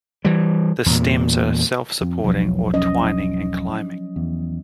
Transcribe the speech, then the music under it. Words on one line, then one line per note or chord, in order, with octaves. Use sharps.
The stems are self-supporting or twining and climbing.
E3 G3
E2 A#2
F2
E1 B1 F3 F#3
C#4 D#5
E2